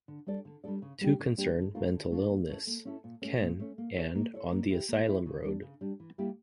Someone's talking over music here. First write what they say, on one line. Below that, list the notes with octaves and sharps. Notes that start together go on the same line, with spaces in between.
Two concern mental illness - "Ken" and "On the Asylum Road".
D3
G3 D4 A4 D5
D3
G3 D4 A4 D5
C#3
G3 A#3 D4 G4
C#3
G3 A#3 D4 G4
D3
A3 D4 F4 A#4
D3
A3 D4 F4 A#4
A#3
C#4 E4 A4
A#3
C#4 E4 A4
A#2
A3 C#4
A#2
A3 C#4
A#3
E4 A4 C#5
A#3
E4 A4 C#5
A#3
E4 G4
A#3
E4 G4
C#3
G3 D4
C#3
G3 D4
E3
G3 A#3 E4 G4